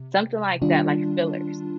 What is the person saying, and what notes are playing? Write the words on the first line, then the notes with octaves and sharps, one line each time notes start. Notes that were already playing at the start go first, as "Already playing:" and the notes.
something like that, like fillers.
Already playing: C3
D#3 G3 D4 F4